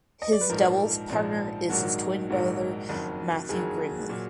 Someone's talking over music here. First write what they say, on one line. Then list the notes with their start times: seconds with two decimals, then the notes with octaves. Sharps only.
His doubles partner is his twin brother Matthew Grimley.
0.22 D#5
0.32 D5
0.41 B4
0.49 A#1 G#2 F3 A#4
1.09 A#1 G#2 F3
1.69 A#1 G#2 D#3 F#3 F#4
2.30 A#1 G#2 D#3 F#3
2.89 F#1 F2 D#3 F#3
3.49 F#1 F2 D#3 F#3 G#4
4.09 A#2 F#3